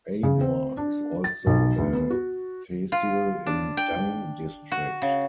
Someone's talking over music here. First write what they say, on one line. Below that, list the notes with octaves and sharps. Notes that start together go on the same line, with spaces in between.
Ahwa is also a tehsil in Dang District.
C#3
C4
D4
A6
B1
D2
B3
F#4
F4
D4
G5
F#4
C#3